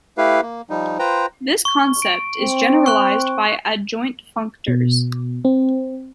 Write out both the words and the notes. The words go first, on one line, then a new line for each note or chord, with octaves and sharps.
This concept is generalised by adjoint functors.
A3 E4 G4 B4 F5
A#3
F3 G3 D#4
F4 B4 C5 G5 A#5
C#6
D7
C4
C#6 F#6
B2
C4